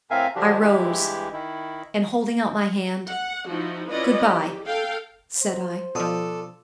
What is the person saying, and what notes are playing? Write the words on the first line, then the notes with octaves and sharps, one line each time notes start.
I rose, and holding out my hand, "Goodbye," said I.
A2 C4 A#4 E5 F5 G#5
D3 F3 G3 D4 F#4 G4
G2 E3 G#3 E4 G4
D#3 E4
F#5
F3 D#4 E4 F#4
C#4 E4 F4 B4 D5 D#5
G4
A4 F5 G5
C5
B2 F3 D4 F4 A4 D#6